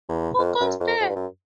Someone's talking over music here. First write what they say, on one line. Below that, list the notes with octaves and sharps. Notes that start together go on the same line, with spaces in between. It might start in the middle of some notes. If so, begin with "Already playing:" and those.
Who goes there?
E2
F2
F#2
F2
F2
G2
F#2